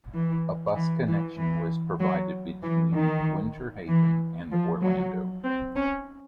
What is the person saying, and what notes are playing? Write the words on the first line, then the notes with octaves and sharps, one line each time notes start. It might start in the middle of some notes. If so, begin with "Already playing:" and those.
A bus connection was provided between Winter Haven and Orlando.
E3
E3
E3
E3
F#3
E3
D#3
E3
F3
F#3
C4
C#4